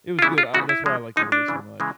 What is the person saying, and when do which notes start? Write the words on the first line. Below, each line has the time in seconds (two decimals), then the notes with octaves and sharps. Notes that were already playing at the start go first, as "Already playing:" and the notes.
it was good. I that's why I liked Italy so much,
0.19 F4
0.22 C#3 E3 G#3 B3 E4
0.38 F4
0.54 C#3 E3 G#3 B3 F#4
0.69 E4
0.86 D3 F3 G#3
1.16 D3 F3 G#3 D#4
1.32 D4
1.48 C#3 E3 G#3
1.80 C#3 E3 G#3